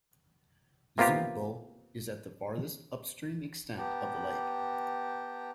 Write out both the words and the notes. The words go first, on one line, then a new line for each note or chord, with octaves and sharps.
Zumbo is at the farthest upstream extent of the lake.
C3 A#3 B3 F4 G4
B3 G4 G5 A5 A#5